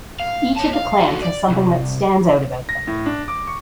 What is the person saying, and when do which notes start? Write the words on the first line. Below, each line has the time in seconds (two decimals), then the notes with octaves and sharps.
Each of the clans has something that stands out about them.
0.20 F5
0.56 C#5 A5
0.73 F5
1.00 F#4 A4
1.22 D5
1.50 C2
2.69 A#6
2.87 A2
3.06 D4
3.28 D6
3.47 C#6